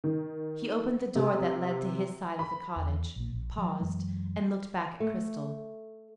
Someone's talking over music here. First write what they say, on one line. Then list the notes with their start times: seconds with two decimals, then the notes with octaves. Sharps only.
He opened the door that led to his side of the cottage--paused--and looked back at Cristel.
0.04 D#3
1.15 C3
2.39 B5
2.76 E2
3.16 A#1 A#2
3.33 A#1
3.58 F3 F#3
3.80 F#2 E3 F#3 G#3
5.00 A3